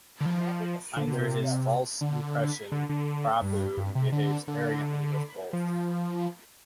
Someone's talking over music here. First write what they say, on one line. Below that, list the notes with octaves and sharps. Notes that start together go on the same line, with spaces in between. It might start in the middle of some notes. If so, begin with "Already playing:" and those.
Under his false impression Prabhu behaves arrogantly with both.
D3
F3
D3
D3
C3
D3
D3
D3
G2
G2
C3
D3
D3
F3